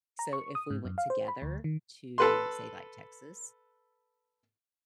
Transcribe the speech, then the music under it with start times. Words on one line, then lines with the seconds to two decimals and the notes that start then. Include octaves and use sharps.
So, if we went together to say like Texas,
0.19 A#5
0.33 C#6
0.55 D#6
0.70 G#2
0.85 F#2
0.98 F5
1.10 C5
1.28 B5
1.42 D2
1.64 D#3
2.18 A4 B4 C6